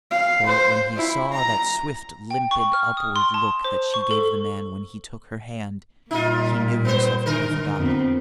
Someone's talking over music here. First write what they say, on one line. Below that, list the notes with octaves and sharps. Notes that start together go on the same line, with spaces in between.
For, when he saw that swift, limpid, upward look that she gave the man when he took her hand, he knew himself to be forgotten.
F5
C5
E4
A#5
G5
C#6
F6
D#6
C6
A5
C5
C#6
A4
A#2 G3 D#4 F4
B3 C5
D3 A#4
F2 B3 C4